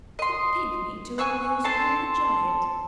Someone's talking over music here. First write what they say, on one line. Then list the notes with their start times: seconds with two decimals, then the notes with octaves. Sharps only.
The pigmy to impose upon the giant.
0.19 D#5 C6
1.18 G#5 C#6 E6 F#6
1.64 C4 A4 A5 C6